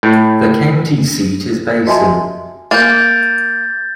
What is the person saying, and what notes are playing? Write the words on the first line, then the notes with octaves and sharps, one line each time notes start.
The county seat is Basin.
A2
F#4 D#5 E5 G#5 A5 C6
A#3 G6 A6